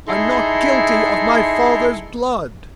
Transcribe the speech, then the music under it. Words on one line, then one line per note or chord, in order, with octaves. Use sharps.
I'm not guilty of my father's blood....
D#4 E4 G#4 A4 A#5 C6